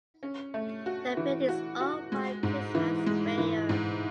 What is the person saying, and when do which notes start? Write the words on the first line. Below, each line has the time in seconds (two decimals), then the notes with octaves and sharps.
The building is owned by Tishman Speyer.
0.23 C#4
0.54 A3
0.86 F#4
1.17 E3
1.49 F#4
1.80 F#4
2.12 G#3
2.43 G#2
2.75 E3
3.06 G#3
3.38 E3
3.69 G#2